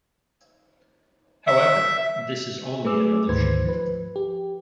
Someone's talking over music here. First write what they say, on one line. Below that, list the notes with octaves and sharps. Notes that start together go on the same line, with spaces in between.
However, this is only an illusion.
E5
A3 G#4 B4 D6 E6
D2 G#2 D#3 B4 C5 G#6
F3 B4
G4